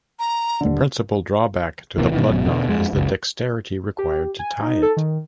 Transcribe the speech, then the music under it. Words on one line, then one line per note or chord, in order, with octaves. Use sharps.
The principal drawback to the blood knot is the dexterity required to tie it.
A#5
D#1 D3
D1 C3 E3 A#3
B2 D#3 E3
G#1 F#2 B2
B2 D3
F2 G#3
F#1 C#2
G4
G#5
D#4
A4
D#3